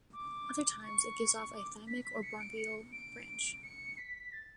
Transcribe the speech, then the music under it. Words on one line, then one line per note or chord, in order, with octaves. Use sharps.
Other times, it gives off a thymic or bronchial branch.
D6
C#6
D6
B6
B6
C#7
D7
C#7
D7
C#7
B6
A6